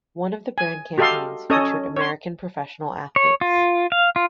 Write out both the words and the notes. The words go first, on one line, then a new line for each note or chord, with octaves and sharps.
One of the brand campaigns featured American professional athletes.
G#5
F#4 G4 A4 D#5 F5 C6
C#4 A4 C#5 D#5 D#6
C#5 C6
C#5
F4
F5
F4